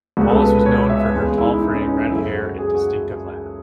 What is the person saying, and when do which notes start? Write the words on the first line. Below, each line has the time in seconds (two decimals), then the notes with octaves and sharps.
Wallace was known for her tall frame, red hair, and distinctive laugh.
0.17 C#2 C#3 G#3 B3 F#4
0.29 A4
0.42 B4
0.55 B4
0.66 C#5
0.90 E5
1.14 E2 C#3 G#3 B3
1.38 E4
1.46 D#4
1.53 E4
1.62 D#4
1.74 C#4
1.86 D#4
1.98 E4
2.10 F#2 C#3 F#3 A3 E4
2.35 F#4
2.59 G#4
2.75 F#4